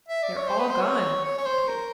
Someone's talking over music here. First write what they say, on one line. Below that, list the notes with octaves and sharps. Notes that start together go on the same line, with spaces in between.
"They're all gone," said he.
E5
D5
C#5
C5
B4
C5
C#5
C#5
C#5
C5
A#4